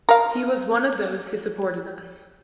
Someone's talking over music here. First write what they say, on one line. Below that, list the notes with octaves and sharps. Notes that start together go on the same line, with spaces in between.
He was one of those who supported us.
A#4 F5